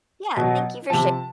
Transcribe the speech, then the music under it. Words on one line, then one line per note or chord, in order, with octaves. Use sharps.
Yeah, thank you for shar
B2 F#3
C3 F3 A5